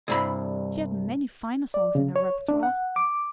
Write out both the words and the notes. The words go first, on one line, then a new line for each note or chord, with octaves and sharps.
She had many finer songs in her repertoire.
C2 G2 B5
D5
C#3
C#5
D4
F#5
D6